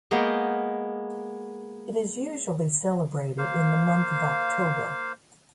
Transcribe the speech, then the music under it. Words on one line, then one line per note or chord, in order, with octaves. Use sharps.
It is usually celebrated in the month of October.
G#3 A#3 B3 F#4 F5 G5
A#3 C5 F5